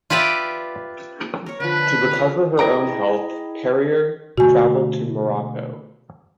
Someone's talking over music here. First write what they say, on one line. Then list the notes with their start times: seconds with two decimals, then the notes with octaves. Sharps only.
To recover her own health Perrier traveled to Morocco.
0.10 F4 G4 B4 D5 E5
1.46 A#4 C#5
1.60 D3 F3 B4
2.11 C#3 F5 A#5
2.59 E4 G#4 D#5 G5 A#5
4.38 B2 D3 A3 F#4 G#5